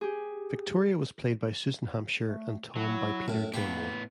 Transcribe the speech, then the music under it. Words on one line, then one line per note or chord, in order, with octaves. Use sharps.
Victoria was played by Susan Hampshire and Tom by Peter Gilmore.
G4 G#4
A3
F#3 E4 F#4
F#2 A2
A2 A#3 B3 G4